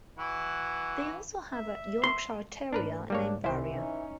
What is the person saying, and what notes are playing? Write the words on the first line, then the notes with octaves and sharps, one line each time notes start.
They also have a Yorkshire Terrier named Varia.
E3 E4 F#4
E5
C6
G#2 A3 D4 A#4 B4
G#2 G3 A#3 D4 C#5
C2 C3 E3 E4 C5
C#4 D#4